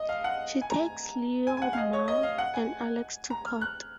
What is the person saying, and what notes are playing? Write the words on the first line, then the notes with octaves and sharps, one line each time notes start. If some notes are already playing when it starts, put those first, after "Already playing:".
She takes Leo Ma and Alex to court.
Already playing: D#5
F5
F#5
G#5
A#5
G#5
G#5
F#5
F5
D#5
C#5
D#5
F5
F#5
G#5
A#5
F6
F#6